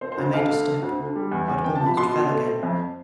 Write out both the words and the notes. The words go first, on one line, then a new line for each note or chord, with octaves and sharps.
I made a step, but almost fell again.
C4 C5
C5
D2
D3 F5
A3
C4
D2
D3
G3
E2
E2
C3 G5
A5
F3
B5
B2 C6
B2
A3
C4
F2